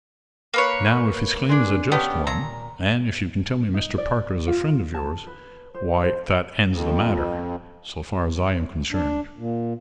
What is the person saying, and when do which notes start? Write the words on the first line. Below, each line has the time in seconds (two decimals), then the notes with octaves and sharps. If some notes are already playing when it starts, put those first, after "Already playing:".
Now if his claim is a just one, and if you can tell me Mr. Parker is a friend of yours--why, that ends the matter, so far as I am concerned.
0.54 A#3 B4 C#5
1.49 G#3 D4
1.92 B3 C#4 D4 G4
2.27 A#2 A#5
3.74 D#4
3.98 D5
4.47 F4
4.94 A5
5.27 B4
5.74 C5
6.03 C5
6.72 F2
8.92 D4
9.37 A#2